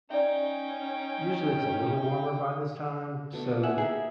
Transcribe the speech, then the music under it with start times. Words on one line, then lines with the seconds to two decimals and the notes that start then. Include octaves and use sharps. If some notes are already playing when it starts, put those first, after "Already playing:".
usually it's a little warmer by this time, so,
0.10 C#4 D#4 D5 E5 G5
3.33 B2 A3 D4
3.63 E5 F#5 G#5
3.78 A#3 D#4 G4 G#4 E5